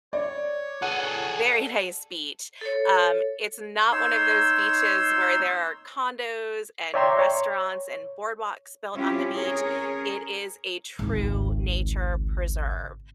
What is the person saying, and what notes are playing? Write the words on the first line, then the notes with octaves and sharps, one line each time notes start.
very nice beach. Um, it's not one of those beaches where there are condos and restaurants and boardwalks built on the beach. It is a true nature preserve,
C#5 D5
G#4 A4 F#5
A4
A4 C#5
D#4 C#5 C6 E6
C#5 D5 E5 G5 A#5 C6
C#5
G3 C4 C#4 E4 F4 G4
C#4 G#4 A#4 C#5
G#1 C#2